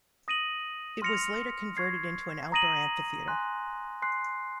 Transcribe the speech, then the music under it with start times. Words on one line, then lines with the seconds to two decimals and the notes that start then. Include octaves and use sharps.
It was later converted into an outdoor amphitheater.
0.28 D#6 A#6 D#7 F#7
1.02 C6 F6 A#6 C#7 F7
1.77 C#6 G#6 C7
2.52 A#5 D#6 A#6 D#7 F#7
3.28 G#5 C6 F#6
4.02 G#5 C6 F#6 C7